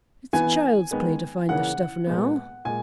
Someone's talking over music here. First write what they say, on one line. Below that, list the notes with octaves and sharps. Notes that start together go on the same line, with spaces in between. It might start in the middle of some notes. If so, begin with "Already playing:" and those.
It's child's play to find the stuff now.
E3 B3 G#5
D#3 G#3 B3
C#3 E3 A#3 C#4 F#5
A#2 G#3 B3
A#2 G#3 G#5